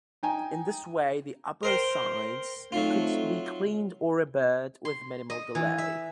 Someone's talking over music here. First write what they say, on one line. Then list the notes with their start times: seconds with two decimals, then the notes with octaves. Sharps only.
In this way the upper sides could be cleaned or repaired with minimal delay.
0.23 D#4 G5 G#5
1.63 A#4 C5 G5
2.72 F#3 A3 C4 D#4 F4
4.85 C6
5.30 D#5
5.55 E3
5.78 E5